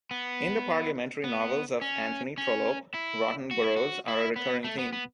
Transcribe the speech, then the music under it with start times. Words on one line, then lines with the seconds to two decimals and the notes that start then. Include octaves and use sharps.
In the parliamentary novels of Anthony Trollope rotten boroughs are a recurring theme.
0.11 B3
1.24 B3
1.81 C#4
2.38 C#4
2.94 E4
3.51 F#4
3.64 E4
3.77 F#4
4.08 E4
4.36 B3
4.64 A3
4.79 B3
4.93 B3